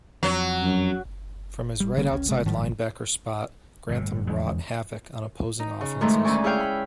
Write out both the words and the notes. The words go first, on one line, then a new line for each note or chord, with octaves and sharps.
From his right outside linebacker spot, Grantham wrought havoc on opposing offenses.
F2 F#3
F#2
G3
D3 G3 A#3 C#4
C#2 C#3 G#3 C#4
G2 C3 G#3
G#2 D#3 F3 G3
G1 A2
F1 E2 D3 G#3
D#4
C#3
A2 D#3 F3 G#3 A3 D#4
D2 C#4 D#4 D5 G#5 C#6
E4 G#4 C#5 F5 G5
B5